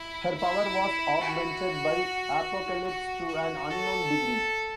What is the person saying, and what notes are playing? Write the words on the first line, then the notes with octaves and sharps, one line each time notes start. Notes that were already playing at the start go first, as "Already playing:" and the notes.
Her power was augmented by Apocalypse to an unknown degree.
Already playing: E4
E4
F#4
F#4
F#4
A4